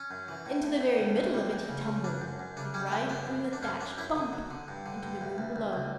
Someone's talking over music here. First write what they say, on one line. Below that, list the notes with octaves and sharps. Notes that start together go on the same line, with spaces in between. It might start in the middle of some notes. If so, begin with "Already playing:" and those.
Into the very middle of it he tumbled, and right through the thatch--bump!--into the room below.
Already playing: C#4
F#2
E3
A2
A2
A2
D2
D2
G3
E2
C#3
C#3
F#2 D4
F#2
F#2
C#3 D4
G3 C#4
A3
C#2 B3
F#2 B3
F#2
F#2
D4
F#2 C#4
F#2 D4
F#2 E4
D3
F#3
D3
G2
D3
G2
D2
D2
D2
C#2